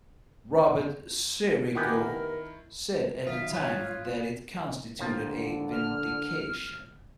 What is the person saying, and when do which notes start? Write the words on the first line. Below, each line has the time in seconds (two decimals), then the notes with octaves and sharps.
Robert Sirico said at the time that it constituted a "vindication".
1.75 D#3 B3 E4 G4 A#4 G#5
3.27 D#3 F#3 D#4 F4 E5 D#6 B6
3.53 C#5 B5 F#6 D#7
4.99 D#2 D3 F3
5.71 F6